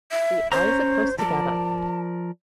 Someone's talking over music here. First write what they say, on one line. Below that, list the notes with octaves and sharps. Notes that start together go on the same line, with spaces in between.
The eyes are close together.
E5
C#4 C5 C#5 A#5
F3 A#4 D5 A5